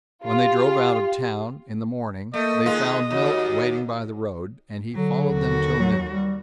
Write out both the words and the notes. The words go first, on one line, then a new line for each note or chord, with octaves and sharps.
When they drove out of town, in the morning, they found Milt waiting by the road, and he followed them till noon.
F4 G4
A3 A#3 D#5
D#3 G#3 F4
D#2 F#4
D3 F#3
D#2 F#4
F#3
G3